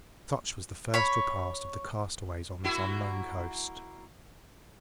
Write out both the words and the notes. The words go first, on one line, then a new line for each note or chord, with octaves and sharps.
Such was the first repast of the castaways on this unknown coast.
C#5 B5
A#3 E4 F#4